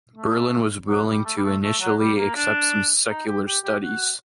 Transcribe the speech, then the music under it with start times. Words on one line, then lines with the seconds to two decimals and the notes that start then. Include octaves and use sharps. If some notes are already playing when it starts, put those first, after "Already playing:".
Berlin was willing to initially accept some secular studies.
0.16 A3
0.89 F#3
1.08 G3
1.25 A3
1.37 G3
1.44 A3
1.63 A3
1.81 F#3
1.99 G3
2.18 A#3
2.35 D4
3.09 D#4
3.27 G4
3.46 G4
3.64 G4
3.82 F#4